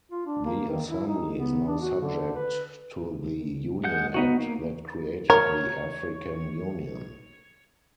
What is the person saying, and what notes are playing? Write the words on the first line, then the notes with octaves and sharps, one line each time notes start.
The Assembly is now subject to the Union Act that created the African Union.
F4
D4
A#3
D#3
E4
D#4
B3
D4
F#4
D3
B4
G#3 F#5 G6
B3 D#4 F#4
A#3
A#4 C#5